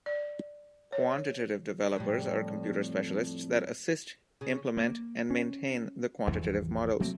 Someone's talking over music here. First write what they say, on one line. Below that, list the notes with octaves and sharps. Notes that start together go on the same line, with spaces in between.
Quantitative developers are computer specialists that assist, implement and maintain the quantitative models.
D5
C#5
F2 A2 G3
C#3
A#3
C#4
G#1 E2 E3 F3
F#3 A3 A#3 C4